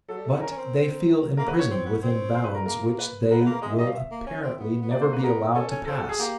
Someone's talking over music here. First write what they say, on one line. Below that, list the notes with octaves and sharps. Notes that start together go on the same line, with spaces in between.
But they feel imprisoned within bounds which they will apparently never be allowed to pass.
F#3 A4
G3
A3
B3
C#4 A#4
C#4
C4
A#3 A#4
B4
B3
C#5
C4
B3
C4
C5
B4
A#4
A#3 A#4
B4
B3 A#4
A#3 B4
A#4
G#3 D#5
E5
G3 D#5
F5
E5
A#3
C#4
C4
B3
B3
A#3 D5
C5
B4
A#3
B3 A#4
C#4 A4
C#4
C4 A4
A4
G#4
A#3 G4